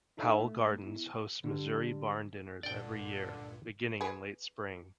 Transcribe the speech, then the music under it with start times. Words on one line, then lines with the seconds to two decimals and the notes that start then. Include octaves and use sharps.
Powell Gardens hosts Missouri Barn Dinners every year, beginning in late spring.
0.17 D4 D#4 A4 C#5 E5 F5
0.40 A3
0.81 B3 E4
1.44 D3 G3
2.63 C#2 G2 A#2 D3 D5 G5
4.01 G#4 B4